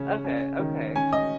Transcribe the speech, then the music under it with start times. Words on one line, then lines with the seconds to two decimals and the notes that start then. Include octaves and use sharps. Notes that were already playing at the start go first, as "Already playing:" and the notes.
Okay, okay,
Already playing: C#3 C#4
0.25 C#4
0.59 D#3
0.96 C#4 G#5
1.13 D#5